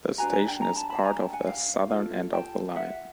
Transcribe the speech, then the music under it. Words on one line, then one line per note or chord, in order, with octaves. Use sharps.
This station is part of the southern end of the line.
D4 F#4 B4 G#5 A#5
G#5 A#5
G5 A5
G#5 A#5
A5 B5
A5 B5
G#5 A#5
G5 A5
F#5 G#5
F5 G5
F4 A4
G5 A5
E5 F#5